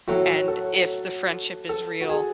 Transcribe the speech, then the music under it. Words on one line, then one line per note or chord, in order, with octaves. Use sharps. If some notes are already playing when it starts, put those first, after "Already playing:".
and if the friendship is real,
A2 F#3 A3 E4 F#4
A4
A4
F#4
G#4